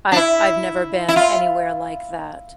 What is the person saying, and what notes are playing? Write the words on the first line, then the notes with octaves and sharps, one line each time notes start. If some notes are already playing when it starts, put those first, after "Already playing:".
I've I've never been anywhere like that.
D4
E4
E4
F4